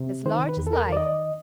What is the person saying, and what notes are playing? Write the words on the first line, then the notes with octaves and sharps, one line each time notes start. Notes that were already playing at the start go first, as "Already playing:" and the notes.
"As large as life."
Already playing: C3
D#3 C5
B4
E2
A4
A#4
D#3 D5
D#5